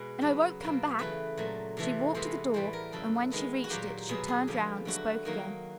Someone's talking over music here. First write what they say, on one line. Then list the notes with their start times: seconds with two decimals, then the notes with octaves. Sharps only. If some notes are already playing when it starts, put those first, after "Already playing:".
"And I won't come back!" She walked to the door and when she reached it she turned round and spoke again.
Already playing: B2 G#3 B4
0.21 C#3 F#3 B3
0.60 B2 F#3 A#3
0.99 C#3 E3 A3 B4
1.37 A#2 F#3 A3
1.77 C3 E3 A3
2.14 C3 E3 G#3 B3 C5
2.54 A2 E3 G3 B3 C5
2.73 A#4
2.92 C#3 F#3 A3 A4
3.31 D#3 G#3 B3
3.64 F#4
3.70 A#2 F#3 A#3 G4
4.09 B2 F#3 B3 G#4
4.28 G#4
4.47 D3 F3 G#3 G4
4.85 D3 F#3 A3 F#4
5.25 D#3 F#3 A#3